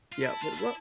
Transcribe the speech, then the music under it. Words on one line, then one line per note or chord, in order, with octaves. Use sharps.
Yeah. But what
F4
E4 A5
F4
D4
E4